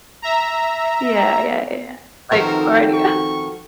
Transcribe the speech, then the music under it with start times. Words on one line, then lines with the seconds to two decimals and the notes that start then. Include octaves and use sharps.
Yeah, yeah, yeah, yeah, like, already up.
0.22 E5 A#5
2.31 D#3 F3 C4 F#4 A4 A#4 C#5
2.93 C#6